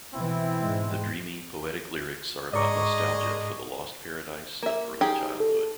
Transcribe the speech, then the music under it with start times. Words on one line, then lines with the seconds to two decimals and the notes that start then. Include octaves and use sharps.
The dreamy, poetic lyrics are about nostalgia for the lost paradise of early childhood.
0.14 B2 E3 C4 E4
0.59 G#2 G#3
2.53 G#2 G#3 D4 D5 D#5 A#5 C#6 D6
4.63 A#3 E5
5.01 D#4 G4 G#4
5.40 A4